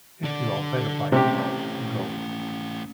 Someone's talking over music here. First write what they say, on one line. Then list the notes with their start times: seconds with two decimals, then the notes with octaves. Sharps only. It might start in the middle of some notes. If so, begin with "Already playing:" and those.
If you are better by yourselves, go.
0.24 D3 D5
1.12 C3 A3 C#4 G4